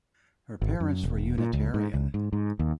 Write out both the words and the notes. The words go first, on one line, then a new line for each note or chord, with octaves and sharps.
Her parents were Unitarian.
G#1
F#2
E1
A#2
C#2
G#2
C#2
G#2
G#2
D#2